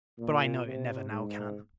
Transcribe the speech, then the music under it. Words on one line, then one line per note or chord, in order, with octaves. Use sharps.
But, I know, it never now can.
A#2
C3
G#2